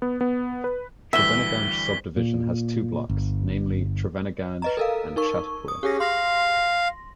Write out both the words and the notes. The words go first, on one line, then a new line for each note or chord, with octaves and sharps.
Triveniganj sub-division has two blocks, namely, Triveniganj and Chhatapur.
B3
B3
B4
D2 E3 G3 E5 B6 G7
A#2
G1
B4 D#5 A#5
A4 A#4 F5
D#4 A#4 C#6
D#6
C#4 G4 G#4 A#6
F5 C6 A#6